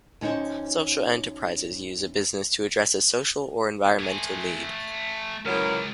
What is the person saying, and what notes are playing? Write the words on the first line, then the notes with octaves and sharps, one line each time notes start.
Social enterprises use a business to address a social or environmental need.
D2 C#4 D#4 C5 C#5
A3 G#5
C#2 C#3 E3 F#3 A#4